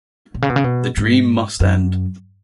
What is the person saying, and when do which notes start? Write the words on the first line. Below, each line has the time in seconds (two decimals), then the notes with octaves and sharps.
The dream must end.
0.34 B2
0.42 C#3
0.49 B2
0.56 C#3
0.64 B2
0.97 G#2
1.60 F#2